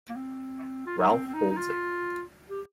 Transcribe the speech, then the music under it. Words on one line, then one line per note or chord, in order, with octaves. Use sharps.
Ralph holds it.
A#3
C4
F4
D#4
C4
C4
D#4
D#4
F4
G4